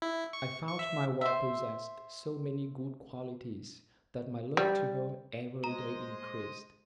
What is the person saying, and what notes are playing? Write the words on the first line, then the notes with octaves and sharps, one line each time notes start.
I found my wife possessed so many good qualities, that my love to her every day increased.
E4
C#6
C#6
E5
C5 E5
G3
G#3 C5 D#5 A#5